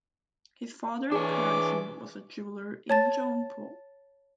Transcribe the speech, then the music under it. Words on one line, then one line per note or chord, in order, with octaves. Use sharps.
His father Kharagsen was a jeweller in Jaunpur.
E3 D4 G#4 C#5 D6
C#5 A5 A6